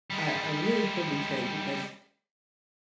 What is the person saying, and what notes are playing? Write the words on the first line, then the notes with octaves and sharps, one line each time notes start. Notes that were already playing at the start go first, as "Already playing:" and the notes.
I I really feel betrayed because
G3 G#3